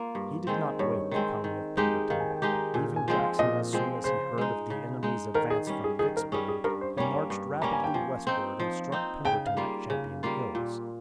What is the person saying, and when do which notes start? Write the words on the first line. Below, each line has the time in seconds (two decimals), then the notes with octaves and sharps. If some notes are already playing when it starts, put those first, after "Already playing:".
He did not wait the coming of Pemberton. Leaving Jackson as soon as he heard of the enemy's advance from Vicksburg, he marched rapidly westward and struck Pemberton at Champion Hills.
Already playing: A#3 F4
0.15 G2
0.47 D#3 G#3 C4
0.79 G2 C#5
1.11 D#3 G#3 C4
1.44 D#3
1.77 G#3 D#4 G4
2.10 D#3 F5
2.20 G#5
2.31 G5
2.42 G#3 D#4 G4
2.53 A#5
2.74 A#2 G#5
2.96 G#5
3.08 F3 G#3 C4
3.19 F5
3.39 A#2 D#5
3.73 F3 G#3 C4
4.04 C#3 C5
4.38 G#3 D#4
4.70 C#3
5.03 G#3 D#4
5.34 D#3 A#4
5.50 G#4
5.67 G3 C#4
5.84 G#4
5.99 D#3 G#4
6.17 A#4
6.32 G3 C#4 G#4
6.48 G#4
6.64 G2 A#4
6.81 C5
6.97 G3 A#3 C#4 C#5
7.13 C#5
7.30 G2
7.62 G3 A#3 C#4 A#5
7.73 G#5
7.84 G5
7.94 F3 G#5
8.27 C4 D#4
8.60 F3
8.92 C4 D#4
9.25 C#3 G5
9.46 F5
9.57 G3 A#3 F4
9.90 C#3
10.23 G3 A#3 F4
10.55 A#2